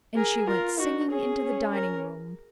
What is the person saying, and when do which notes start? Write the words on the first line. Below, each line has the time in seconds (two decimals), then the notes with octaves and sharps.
And she went singing into the dining-room.
0.16 G#4 A#4
0.47 F4 A#4
0.79 D#4 F#4
1.10 C#4 G#4
1.42 C#4
1.73 A#4